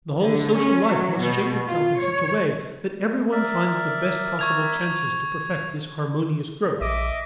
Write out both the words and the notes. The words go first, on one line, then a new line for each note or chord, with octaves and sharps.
The whole social life must shape itself in such a way that everyone finds the best possible chances to perfect this harmonious growth.
D3
C#4
F#3
B2
F4
C#5
A#4 D5 E5
C#6 G#6 F7
A#1 D#5 E5 D6